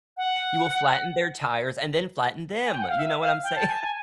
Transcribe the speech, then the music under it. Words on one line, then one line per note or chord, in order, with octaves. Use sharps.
You will flatten their tires and then flatten them, you know what I'm saying?
F#5
G#5
G5
F#5
F5
E5
F5
G5
A5
G#5
A5
G#5